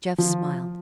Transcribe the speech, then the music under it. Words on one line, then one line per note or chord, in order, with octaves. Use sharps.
Jeff smiled.
F3